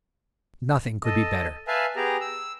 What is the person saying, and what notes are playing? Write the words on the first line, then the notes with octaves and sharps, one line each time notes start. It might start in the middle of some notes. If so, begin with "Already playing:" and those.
Nothing could be better.
A4 D#5
B4 E5 F5 G#5 A5
B3 G4 G#4 A#5
E6